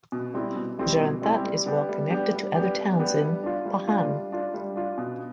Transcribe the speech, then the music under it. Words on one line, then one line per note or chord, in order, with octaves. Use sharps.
Jerantut is well connected to other towns in Pahang.
B2
G3 C4 E4 G4
B2
G3 C4 E4 G4
B2
G3 C4 E4 G4
G3
B3 D4 G4
G3
B3 D4 G4
G3
B3 D4 G4
G3
B3 D4 G4
G3
D4 F4
G3
D4 F4
G3
D4 F4
G3
D4 F4
B2